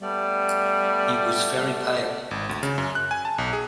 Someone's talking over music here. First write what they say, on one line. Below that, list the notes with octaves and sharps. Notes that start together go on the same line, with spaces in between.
He was very pale.
G3 A3 B3 D5
G#1
D2
C#3
F#2
F#6
G#5
A5
B1
G#4